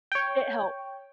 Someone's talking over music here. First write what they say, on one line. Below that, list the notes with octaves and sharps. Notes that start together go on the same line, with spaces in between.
it helps.
C#5 G5